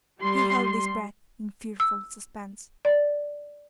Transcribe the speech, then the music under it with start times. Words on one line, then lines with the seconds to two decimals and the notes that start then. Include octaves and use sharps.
He held his breath in fearful suspense.
0.20 G3 C6
1.80 E6
2.85 D5